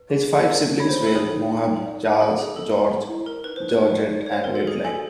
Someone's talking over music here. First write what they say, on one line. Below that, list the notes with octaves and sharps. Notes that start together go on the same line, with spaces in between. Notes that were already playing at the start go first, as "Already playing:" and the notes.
His five siblings were Moheb, Charles, George, Georgette and Madeline.
Already playing: B4
G#4
G#4
A#4
D5
C#5 B5
C5
B5
A4
D#4 G#4
D#4
F#5
D#4
D5
A#4
A4 A#4
G#4 D5
A4 D#5
D#5
D#5
E4
A#4 C5
D#4 B4
C5
D#4
B4
D#4
D5
D5
C#5
C5 D5
A#4
F#4
A4
G#4 C5
A4 G#5